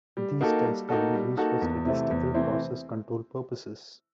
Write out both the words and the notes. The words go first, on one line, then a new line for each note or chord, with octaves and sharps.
These tests can be used for statistical process control purposes.
G3
A#3 D#4 F#4 A4
G3
A#3 D#4 F#4 A4
G3
A#3 D#4 F#4 A4
E2
C3 E3 A3 C4
E2
C3 E3 A3 C4